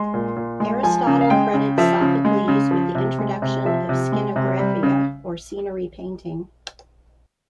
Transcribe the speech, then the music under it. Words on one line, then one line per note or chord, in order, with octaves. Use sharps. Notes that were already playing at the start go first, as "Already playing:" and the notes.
Aristotle credits Sophocles with the introduction of "skenographia", or scenery-painting.
Already playing: G#3 C6
A#2
A#2
G#3
F3 G#5
C#3
F5
G#3 G5
C#3
F3 E5
C#3
G#3
C#3
F3
C3
G#3
C3
F3 E5
C3
G#3
C3
G3
C#3